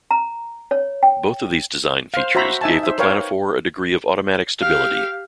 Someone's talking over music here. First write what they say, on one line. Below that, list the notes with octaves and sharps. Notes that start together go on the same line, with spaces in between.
Both of these design features gave the planophore a degree of automatic stability.
A#5
C#5
G5
C5 F5
F#4 C5 E5 A#5 B5
D#4 E5 G#5 A5
C5 E5
A#4 B4 C#5 F5 G5
G4 F5